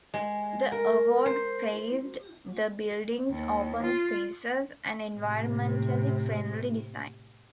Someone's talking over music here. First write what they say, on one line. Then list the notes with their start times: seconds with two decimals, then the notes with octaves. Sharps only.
The award praised the buildings open spaces and environmentally friendly design.
0.14 G#3
0.72 A#4
1.26 C5
3.30 D#2
3.82 F4
5.14 A2 C3